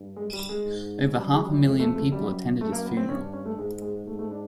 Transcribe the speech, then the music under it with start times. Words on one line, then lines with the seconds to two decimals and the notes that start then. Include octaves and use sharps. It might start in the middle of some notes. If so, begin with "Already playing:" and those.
Over half a million people attended his funeral.
Already playing: G2
0.16 G#3
0.33 G3
0.49 G#3
0.65 G#2
1.14 F#2 G3
1.30 G#3
1.47 G3
1.63 F2 G#3
1.79 A3
1.96 A3
2.12 F#2 G3
2.61 F#2 A3
2.72 A#3
2.85 B3
2.97 C4
3.09 G2 C#4
3.22 D4
3.33 C#4
3.46 A3
3.58 G#2 G#3
3.82 G#3
4.06 G#2 A3
4.19 A3
4.31 D4